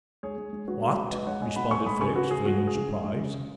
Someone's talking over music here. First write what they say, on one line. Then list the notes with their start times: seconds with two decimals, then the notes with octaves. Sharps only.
"What!" responded Fix, feigning surprise.
0.23 G#3 G#4 C#5
0.38 G#3
0.53 G#3
0.67 G#3 F#4 B4
0.83 G#3
0.97 G#3
1.11 G#3 B4 D#5
1.27 G#3 C#5 F#5
1.42 G#3 D#5 G#5
1.56 B2 F#5 B5
1.71 G#3 G#5 C#6
1.86 G#3 B5 D#6
2.01 C#3 G#5 C#6
2.16 C#3 F#4 B4
2.31 C#3 G#4
2.45 G#3 F#4
2.60 G#3
2.67 G#4
2.74 C#3
2.89 G#3
3.04 G#3
3.19 C#3
3.34 C#3